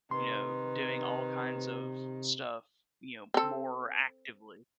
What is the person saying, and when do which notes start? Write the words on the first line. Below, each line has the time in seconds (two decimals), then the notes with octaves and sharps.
you know, doing all kinds of stuff, you know, more actively.
0.11 C3 D#3 B4 C6
3.34 C4 A4